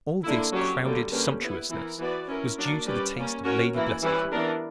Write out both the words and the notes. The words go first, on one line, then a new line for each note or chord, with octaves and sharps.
All this "crowded sumptuousness" was due to the taste of Lady Blessington.
D3 A#3 E4
F#3 C#4 G4 C#5
D3 G3 A#3
D3 A#3 C#4 G4 B4
B3 E4 B4
E3 B3 E4 A#4
E3 B3 F#4 B4 D5
C#4 E4 A#4
F#3 A#3 D4 A#4 D5
G3 C#4 G4 B4 D5
G3 A#3 C#4
C#4 F#4 A#4 C#5
E3 A#3 E4
E3 G3 C#4 E4 B4
E3 B3 D4 A#4